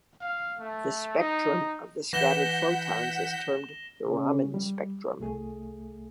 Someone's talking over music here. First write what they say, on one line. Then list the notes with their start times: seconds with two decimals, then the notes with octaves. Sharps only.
The spectrum of the scattered photons is termed the Raman spectrum.
0.21 F5
0.59 A3
1.18 D#4
2.13 E3 F#5 G6 A#6 B6 E7 G7
4.06 C#3
4.54 G3
5.20 C2 A3 G#4